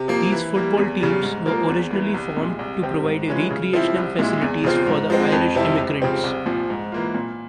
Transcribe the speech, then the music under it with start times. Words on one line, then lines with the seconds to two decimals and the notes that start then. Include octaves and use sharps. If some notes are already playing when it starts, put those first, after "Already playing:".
These football teams were originally formed to provide recreational facilities for the Irish immigrants.
Already playing: C3
0.08 F3 A#3
0.32 E3
0.55 G3 A#3
0.77 E2
1.00 C#3 G3
1.22 G#2
1.46 F3 A#3 F4 A#4
1.68 E2
1.91 E3 A#3
2.14 C2
2.37 A#2 G#3
2.59 C2
2.82 C3 G3 C4 G4
3.04 G#2
3.28 E3 G#3 C#4 F4
3.51 C#3
3.73 F3 C4 E4
3.96 C2
4.19 A#2 G#3 E4
4.42 E2
4.64 C#3 F3 C4 F4
4.87 G#2
5.10 F3 G#3 C4
5.32 F2
5.55 C3 G3 C4 E4
5.78 C#2
6.02 C#3 F3 C4 G4
6.24 C2
6.46 A#2 F3
6.70 G#2
6.92 E3 A#3 F4
7.15 A#2